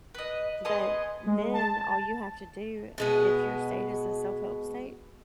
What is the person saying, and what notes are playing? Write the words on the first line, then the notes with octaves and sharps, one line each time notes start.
But then all you have to do, if your state is a self-help state,
B4 D#5
B3 G#4 D#5 C6
G#3
A5
B2 G#3 B3